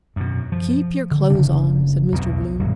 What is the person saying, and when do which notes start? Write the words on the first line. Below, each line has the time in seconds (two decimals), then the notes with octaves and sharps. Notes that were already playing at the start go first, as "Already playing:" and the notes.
"Keep your clothes on," said Mr. Bloom.
0.16 F#2 B2
0.52 F3
1.11 D3
1.30 F#1 C#3 D4
2.12 B1 E2 G2 B2
2.59 D#1 G2 B2 F#3